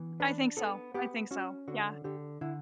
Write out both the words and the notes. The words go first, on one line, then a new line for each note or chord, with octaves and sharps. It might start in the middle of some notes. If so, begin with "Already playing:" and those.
I think so. I think so, yeah.
Already playing: E3 B3
D4 B4
B3 A4
B3 G4
C#4 F#4
D3 F#4
D3 G4
D3 E4